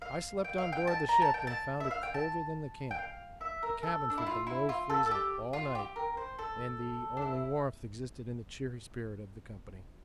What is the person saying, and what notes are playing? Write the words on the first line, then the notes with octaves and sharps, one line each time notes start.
I slept on board the ship and found it colder than the camp--the cabins were below freezing all night and the only warmth existed in the cheery spirit of the company.
F5
G5
F5
G5
A5
A#5
A5
G5
A5
E5
F5
G5
A5
G5
F5
E5
A#4
A4
D4
E4
F4
E4
F4
A4
A4
G4
F4
G4
A#4
C5
A4
D4
E4